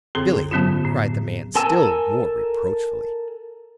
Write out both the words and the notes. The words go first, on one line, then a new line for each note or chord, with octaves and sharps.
"Billy!" cried the man, still more reproachfully.
F#2 D3 C4 G#4 A4 C6
G#2 D3 F#3 B3 C#4 F4
A2
A4 A#4 G#5 A5 E6